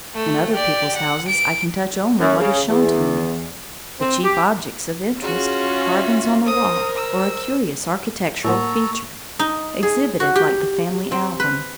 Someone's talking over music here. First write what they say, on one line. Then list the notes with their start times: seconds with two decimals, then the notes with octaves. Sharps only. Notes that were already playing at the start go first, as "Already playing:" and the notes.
In other people's houses I can touch only what is shown to me--the chief objects of interest, carvings on the wall, or a curious architectural feature, exhibited like the family album.
0.14 A3
0.53 G4 D5
0.96 F#5
1.28 D7
2.19 F#2
2.40 C#3
2.67 E2
4.00 C4
4.24 G4
5.22 C#4 F4 F#4 G#4
5.87 E5
6.46 A#4 C5 D#6
6.96 E6
8.45 A2 A#3 A4 A#4 F#5 A#5 C#6
9.39 D#4
9.83 G#4
10.20 F#4
10.35 G4
11.12 C4
11.40 B4